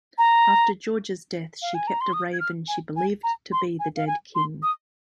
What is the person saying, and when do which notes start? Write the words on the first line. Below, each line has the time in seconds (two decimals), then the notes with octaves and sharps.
After George's death, she kept a raven she believed to be the dead king.
0.18 A#5
1.62 F5
1.74 G#5
1.87 A#5
2.01 C6
2.13 D#6
2.33 G#6
2.40 F6
2.68 G#5
2.96 G#5
3.23 A#5
3.52 C6
3.79 G#5
3.96 F5
4.07 G#5
4.35 C6
4.63 D#6